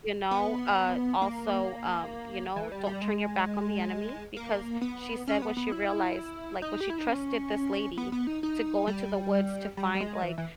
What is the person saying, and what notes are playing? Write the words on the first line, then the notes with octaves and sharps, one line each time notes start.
You know? Uh, also, um, you know, don't turn your back on the enemy, because she said when she realized, like, when she trusted this lady to go into the woods to find, like,
B3
A#3
E3
G3
G3
G#3
A#3
B3
C#4
B3
B3
E4
D#4
G4
E4
D#4
C#4
B3
B3
D#4
D#4
G3
G3
G3
G#3
E3
E3